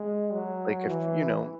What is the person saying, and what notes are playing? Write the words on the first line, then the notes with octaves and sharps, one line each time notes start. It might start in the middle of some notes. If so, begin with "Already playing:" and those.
Like, if you know,
Already playing: G#3
F#3
E3